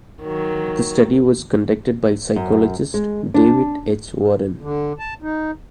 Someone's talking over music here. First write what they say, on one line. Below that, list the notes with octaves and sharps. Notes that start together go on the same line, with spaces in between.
The study was conducted by psychologist David H. Warren.
D#3 F#3
F#2
G#3
D4
D3
A5
D#4